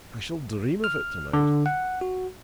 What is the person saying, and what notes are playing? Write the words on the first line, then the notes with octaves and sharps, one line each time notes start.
I shall dream of it to-night.
F6
D3
F#5
F#4